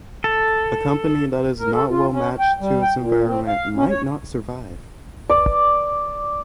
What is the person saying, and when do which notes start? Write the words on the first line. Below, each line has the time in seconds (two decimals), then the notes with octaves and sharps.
A company that is not well matched to its environment might not survive.
0.24 A4
1.59 A#4
1.73 A4
1.90 F4
2.13 C#4
2.39 G5
2.60 G3
2.82 G5
2.99 A#2
3.26 C4
3.47 F5
3.76 C#4
3.90 C#5
5.29 D5